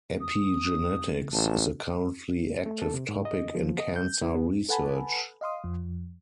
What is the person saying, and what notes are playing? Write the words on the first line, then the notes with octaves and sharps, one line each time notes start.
Epigenetics is a currently active topic in cancer research.
D#6
A1 A5
A3
A4
C3
G#2
D#5
F3
D#5
G6
E4
B3
A4 B4 F#5 G#5 A5 B5
D#5 F5 C6 D#6
F2 F3